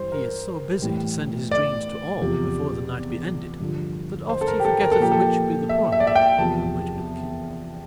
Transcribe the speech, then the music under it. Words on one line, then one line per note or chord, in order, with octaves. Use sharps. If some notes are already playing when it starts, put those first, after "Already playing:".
He is so busy to send his dreams to all before the night be ended that oft he forgetteth which be the poor man and which be The King.
Already playing: G2 E3 G3 C5
A#4
A2 E3 G3
D5
E2 C3 F3
G2 D3 F3
C5
A4
A#4
G4
A4
A#4
A4
A#2 F3 G4
A4
E5
E5
D5
E5
G5
E2 C3 F3 A5